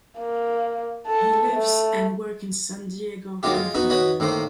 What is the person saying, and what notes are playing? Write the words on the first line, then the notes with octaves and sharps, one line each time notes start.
He lives and works in San Diego, California.
A#3
A4 A5
A3
F#3 G#3 A#3 D#4 F4 G4
G#3 F4
B3 D#4 F#4
F#4 B4 C#5 D#5 B5
A2 D#3 A#3 C5